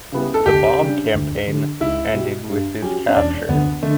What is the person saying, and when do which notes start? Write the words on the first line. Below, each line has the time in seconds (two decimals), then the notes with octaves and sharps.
The bomb campaign ended with his capture.
0.12 C#3 G3 B3 E4
0.34 A4
0.46 D2 G4
0.80 C#3 G3 D4
1.14 D2
1.47 D3 G3
1.80 C#2 E4
2.14 B2 G3
2.49 G2
2.82 F#3 C#4 G4
3.09 C#4
3.15 E1 D4
3.49 D2 D3 B3
3.83 D3 A3